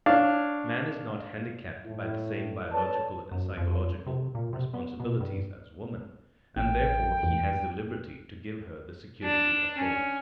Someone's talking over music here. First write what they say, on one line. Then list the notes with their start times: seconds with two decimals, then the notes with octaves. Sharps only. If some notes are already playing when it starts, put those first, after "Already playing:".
Man is not handicapped by the same biological and psychological responsibilities as woman, and therefore he has the liberty to give her the security of home.
0.06 D4 C#5 F5
1.86 A2 E4
2.71 A4 B4 C#5 D5 A5
3.31 F#2
3.57 F2
3.71 F2
4.06 C3
4.35 A#2
4.53 C3
4.74 B3
5.00 B2
5.20 G2
6.56 A1 G5
7.23 E2
9.24 D4
9.78 C#4